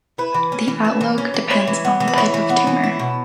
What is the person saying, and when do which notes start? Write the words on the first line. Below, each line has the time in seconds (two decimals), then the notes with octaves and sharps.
The outlook depends on the type of tumor.
0.18 E4 B4
0.34 E3
0.52 C#4
0.68 E3
0.85 E4
1.01 E3
1.18 C#4
1.34 E3
1.50 E4 C#5
1.67 E3
1.85 B3
2.00 E3
2.08 B4
2.18 E4 C#5
2.34 E3
2.50 B3
2.67 E3
2.84 E4
2.99 B2